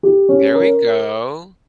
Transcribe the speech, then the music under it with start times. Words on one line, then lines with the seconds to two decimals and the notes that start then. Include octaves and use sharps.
There we go.
0.03 G4
0.29 C#4
0.55 A#4